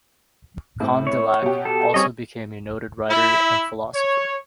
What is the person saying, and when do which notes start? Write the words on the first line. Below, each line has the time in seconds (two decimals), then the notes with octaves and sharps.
Condillac also became a noted writer and philosopher.
0.80 A2 C4
1.07 C#5
1.42 B2 G4
1.65 A4
1.94 G3 C4 G#4 C#5 D#5
3.10 E4
3.95 C#5